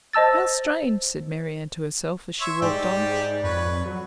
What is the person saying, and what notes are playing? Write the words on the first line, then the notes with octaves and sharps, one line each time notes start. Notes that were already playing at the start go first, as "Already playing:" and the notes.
"How strange!" said Marianne to herself as she walked on.
C5 D#5 A5 E6 A6
C#5 E5 C6
G#2 G3 G4 D5
F2 B4 C#5
F#3